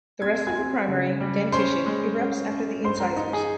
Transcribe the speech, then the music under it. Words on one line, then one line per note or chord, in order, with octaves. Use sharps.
The rest of the primary dentition erupts after the incisors.
C4 G#6
G#5 G#6
C4
C#3
G3
C#4 C5 C6
G#3
C#4
C#4
G2 C5 C6
A#4 A#5
D#4 D#5
G#4 G#5